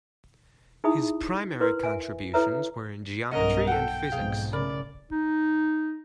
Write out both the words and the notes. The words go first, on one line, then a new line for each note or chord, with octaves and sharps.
His primary contributions were in geometry and physics.
D#4 E4 G#4 E5 B5 D#6
E4 A#4 B4 D5 C6
E5 G#5
E4 A4 B4 C#5 E5 A#5
B1 G2 C#4 A#4 D#5 F#5
A4 F#5 G5
B1 F2 G#2 G#4 F5
A2 C#3 A#4 D5 B5
D#4